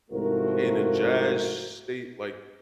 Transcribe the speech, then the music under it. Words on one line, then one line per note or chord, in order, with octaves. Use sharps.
in a jazz state? Like,
C2 G#2 F3 A3 F#4 A#4